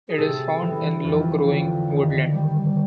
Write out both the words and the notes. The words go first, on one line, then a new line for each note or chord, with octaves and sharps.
It is found in low-growing woodland.
G#4
C3 A4
E3
F2
D3
D#3
G3